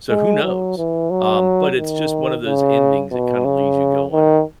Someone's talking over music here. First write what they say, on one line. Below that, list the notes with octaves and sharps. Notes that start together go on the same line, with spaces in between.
So, who knows? Um, but it's just one of those endings that kinda leaves you going,
G#3
F#3
E3
F#3
D#3
C#3
B2
C#3
D#3